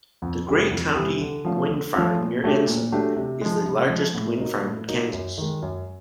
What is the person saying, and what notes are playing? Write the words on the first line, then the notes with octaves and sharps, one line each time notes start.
The Gray County Wind Farm near Ensign is the largest wind farm in Kansas.
F2
C3 E3 G3 C4
F2
C3 E3 G3 C4
D3
F3 A3 C#4 F4
D3
F3 A3 C#4 F4
A#2
F#3 A3 D4 G4
A#2
F#3 A3 D4 G4
C3
F3 G#3
C3
F3 G#3
A2
F#3 A#3 D#4
A2
F#3 A#3 D#4
F#2
D#3 G#3
F#2